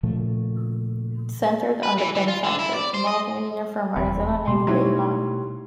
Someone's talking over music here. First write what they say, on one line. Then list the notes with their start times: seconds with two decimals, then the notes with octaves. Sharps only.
It centered on the "Benefactor", a multi-millionaire from Arizona named Bill Long.
0.03 A#2 C#3 F3 A3
1.83 B4
1.98 E3
2.15 E3
2.28 F4
2.44 D3
2.59 E4
2.74 D5
2.94 C5
3.07 D#5
3.96 F1 E2 C3 B5
4.48 B2 A3 B3 G4 C6
4.67 F#3 C4 C#4 D#4 E4 C#5